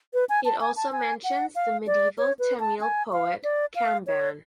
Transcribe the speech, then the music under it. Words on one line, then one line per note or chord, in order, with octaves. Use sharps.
It also mentions the medieval Tamil poet Kamban.
B4
G#5
A5
G#5
A5
G#5
F#5
F5
D5
C#5
B4
A5
G#5
F5
D5
F5
C#5